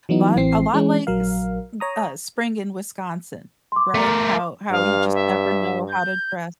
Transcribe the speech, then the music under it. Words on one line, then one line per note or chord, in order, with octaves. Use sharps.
but a lot like s m uh, spring in Wisconsin, right? How how you just never know how to dress,
E3 F#3 B3 D#4
A1 E3 C4 C7
E3 G#3 C#4
A#1 F#3 A#4 F5
C#5 A#5 D#6
C6 D6
A3 A#4
G2 F5
E5
G6